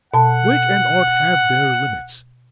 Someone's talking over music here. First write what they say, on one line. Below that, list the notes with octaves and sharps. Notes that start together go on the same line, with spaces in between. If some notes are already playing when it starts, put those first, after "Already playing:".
Wit and art have their limits.
B2 F#5 A5